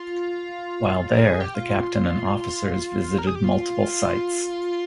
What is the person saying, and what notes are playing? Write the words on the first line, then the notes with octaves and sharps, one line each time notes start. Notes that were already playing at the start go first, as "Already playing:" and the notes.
While there the captain and officers visited multiple sites.
Already playing: F4
A#4
G#4
G4
F4
A#4
G#4
G4
F4